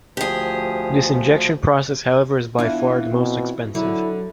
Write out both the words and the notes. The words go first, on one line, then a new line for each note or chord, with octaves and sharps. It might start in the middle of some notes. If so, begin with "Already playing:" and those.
This injection process however is by far the most expensive.
D2 F3 G4 G#4
E3 B3 D4 E4 F4
B2 C4
D3 F#3 E4